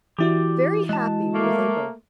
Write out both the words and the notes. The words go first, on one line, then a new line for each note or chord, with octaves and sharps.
Very happy were they both.
E3 E4 F#4 G4 D5
G#3 A5
A3 A#3